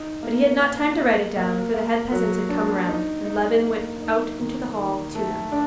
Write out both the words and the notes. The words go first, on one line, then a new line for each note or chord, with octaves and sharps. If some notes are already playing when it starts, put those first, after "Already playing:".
But he had not time to write it down, for the head peasants had come round, and Levin went out into the hall to them.
Already playing: D#4
A#3
A#3
A#3
A#3
A#3
F#3
D4
D#4
D#4
A#3
D#4
D#3
D#3
A3
D4